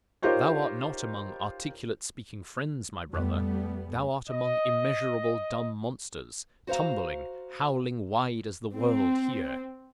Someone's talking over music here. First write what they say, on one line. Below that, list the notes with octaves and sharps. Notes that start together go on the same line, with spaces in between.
Thou art not among articulate-speaking friends, my brother; thou art among immeasurable dumb monsters, tumbling, howling wide as the world here.
D#4 F4 G4 A#4 C5 C#5
F2 G3 A3 B3 F#6
D#5
F#4 C5 C#5 F5 A#5
C4